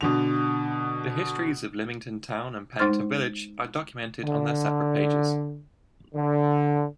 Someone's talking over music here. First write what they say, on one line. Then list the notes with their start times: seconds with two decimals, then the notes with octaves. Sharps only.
The histories of Lymington Town and Pennington village are documented on their separate pages.
0.01 B2 D3 F7
2.79 G#3 D#4 C5 C6 F6 A6
4.22 D3
6.14 D3